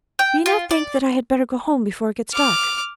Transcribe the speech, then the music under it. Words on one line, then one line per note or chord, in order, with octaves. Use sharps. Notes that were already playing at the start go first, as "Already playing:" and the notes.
"Do you not think that I had better go home before it gets dark?"
G5
F4
D5
D6 F6